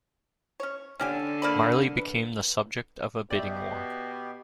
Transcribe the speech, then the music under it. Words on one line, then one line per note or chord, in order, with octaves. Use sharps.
Marley became the subject of a bidding war.
C#4 C#5
D3 C#4 G4 G#5
A#3 D5 B5
B4
B2 G4 D5 E5